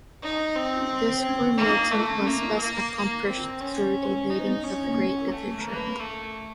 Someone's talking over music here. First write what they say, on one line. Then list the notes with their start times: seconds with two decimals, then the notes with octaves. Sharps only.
This, for Milton, was best accomplished through the reading of great literature.
0.23 D#4
0.56 C4
1.58 A#3
1.91 A3
2.26 A#3
2.60 A#3
2.94 A#3
3.27 C4
3.61 C#4
4.30 D#4
4.63 C#4
5.32 A3
5.66 A#3
5.99 A3